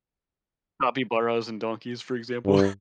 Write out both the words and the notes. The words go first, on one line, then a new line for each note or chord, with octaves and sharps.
capibaras and donkeys, for example.
G2